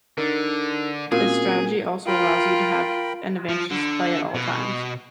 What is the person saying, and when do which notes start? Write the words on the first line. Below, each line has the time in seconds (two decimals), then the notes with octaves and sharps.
This strategy also allows you to have an advantageous play at all times.
0.18 D3 D4 D#4 A#4
1.12 A#2 C4 C#4 F#4 G#4
2.07 F4 A#4 G5 B5
3.49 F3
3.70 D3
4.34 B2